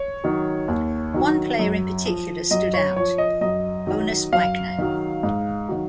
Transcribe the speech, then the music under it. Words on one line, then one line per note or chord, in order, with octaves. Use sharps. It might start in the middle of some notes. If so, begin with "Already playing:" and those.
One player in particular stood out--Honus Wagner.
Already playing: C#5
D#3 F#3
D#2
D#3 F#3
F#2
F3
F#2 D#5
C#5
F3 C#5
D#5
F#2 D#5
D#3 F#3
F#2 F5
D#3 F#3
G#2
D#3 F#3